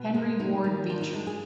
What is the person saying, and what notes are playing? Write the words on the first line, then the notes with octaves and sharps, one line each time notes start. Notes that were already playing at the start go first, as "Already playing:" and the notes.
Henry Ward Beecher.
Already playing: B2
G#3
A#3 D#4
D#3
D4 F4
D#4
G#3 D4
G#4